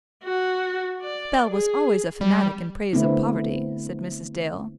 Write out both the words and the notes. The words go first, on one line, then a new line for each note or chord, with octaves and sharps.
"Bell was always a fanatic in praise of poverty," said Mrs. Dale.
F#4
D5
G#4
G3
D3 A3 B3 C4 E4